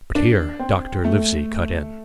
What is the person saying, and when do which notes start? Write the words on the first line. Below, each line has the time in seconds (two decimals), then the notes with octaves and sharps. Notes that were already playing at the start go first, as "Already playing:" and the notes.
But here Dr. Livesey cut in.
0.15 D4
0.59 C4
1.04 A3